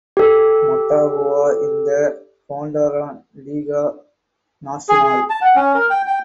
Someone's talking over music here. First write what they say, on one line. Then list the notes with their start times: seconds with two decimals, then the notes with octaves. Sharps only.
Motagua in the Honduran Liga Nacional.
0.17 G4 A4
4.89 G#4
5.03 G#4
5.30 A5
5.42 F#5
5.56 C#4
5.75 A#4
5.90 G5
6.08 G5